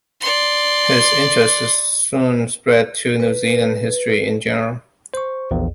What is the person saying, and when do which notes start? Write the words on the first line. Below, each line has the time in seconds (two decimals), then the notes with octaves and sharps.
His interests soon spread to New Zealand history in general.
0.21 D5 C6
3.20 B4
5.14 C5 C#6
5.51 A#1 E2